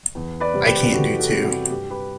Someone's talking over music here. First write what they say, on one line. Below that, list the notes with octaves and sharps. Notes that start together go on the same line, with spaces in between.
I can't do two.
E2
B4 D5
C3 G3 C4
G4 B4
E2 F#4 A4
F#4 A4
C3 G3 C4
F#4
G2 G4
G4 B4